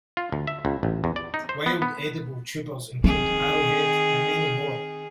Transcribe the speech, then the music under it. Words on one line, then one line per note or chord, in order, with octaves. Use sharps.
Wild edible tubers include arrowhead, and many more.
F4
D2
E5
C#2
A1
E2
D5
D#4
C5
B3
B3
D#3 C4 G#4